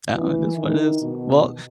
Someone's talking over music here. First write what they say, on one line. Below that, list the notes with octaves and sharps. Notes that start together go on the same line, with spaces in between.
That one this one is well,
E3
D#3
B2